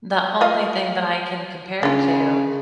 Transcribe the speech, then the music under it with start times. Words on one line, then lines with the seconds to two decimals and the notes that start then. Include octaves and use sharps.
the only thing that I can compare to
0.41 F4 D#5 F5
1.83 C#3 D4 F4